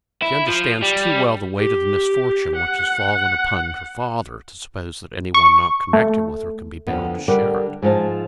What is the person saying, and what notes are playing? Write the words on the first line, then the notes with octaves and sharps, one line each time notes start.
"She understands too well the weight of the misfortune which has fallen upon her father, to suppose that any one not connected with her can be bound to share it."
E4
F3
G3
G4
F#5
C#6
A3
F2 D3 B3
D3 G3 A#4 D5 F#5
G#2 F3 A5